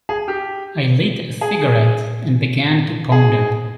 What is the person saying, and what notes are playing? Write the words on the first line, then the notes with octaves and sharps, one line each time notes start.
I lit a cigarette and began to ponder.
G#4
G4
G#4
G#4